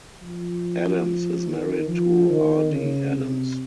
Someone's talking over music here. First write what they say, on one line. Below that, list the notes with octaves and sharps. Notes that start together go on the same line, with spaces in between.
Adams is married to Ardee Adams.
F3
D#3
F3
D#3
C#3
C3